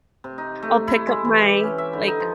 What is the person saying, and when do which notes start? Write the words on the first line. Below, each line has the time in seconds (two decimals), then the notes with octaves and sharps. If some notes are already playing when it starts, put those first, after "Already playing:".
I'll pick up my, like,
0.24 C3
0.38 D#4
0.63 A3
0.87 E4
1.07 G#3
1.25 E3
1.42 G4
1.63 C#4
1.78 E5
1.93 D3
2.08 D#4
2.20 F3